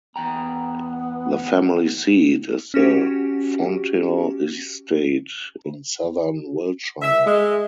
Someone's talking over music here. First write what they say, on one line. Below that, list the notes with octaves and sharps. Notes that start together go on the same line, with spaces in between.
The family seat is the Fonthill estate in southern Wiltshire.
E2 B3 G5 A#5
C#4 F#4 G4
E5
G#3